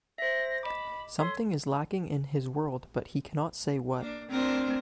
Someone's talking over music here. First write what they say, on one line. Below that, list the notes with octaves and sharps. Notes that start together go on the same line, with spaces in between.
Something is lacking in his world-but he cannot say what.
C5 E5 A#6
D#5 B5 D6
A4 C#5 C6
A#3 D4
C4 D4 F4 A#4